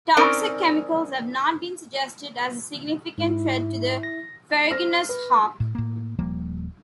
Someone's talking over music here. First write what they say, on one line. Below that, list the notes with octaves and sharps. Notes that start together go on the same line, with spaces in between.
Toxic chemicals have not been suggested as a significant threat to the ferruginous hawk.
C4 C#4 D#4 A#4 D5
G#2 E4
A#6
C5 F6 A#6
B4
A2
A2 A#3
D#1 F3 G3 A#3